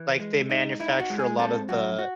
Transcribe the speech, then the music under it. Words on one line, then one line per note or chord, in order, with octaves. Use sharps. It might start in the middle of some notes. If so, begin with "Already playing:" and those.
Like, they manufacture a lot of the
Already playing: E3
G#3
D#4
D#4 E4
F#4
G#3
G#4
C4 A4
F#2 F#4
F#4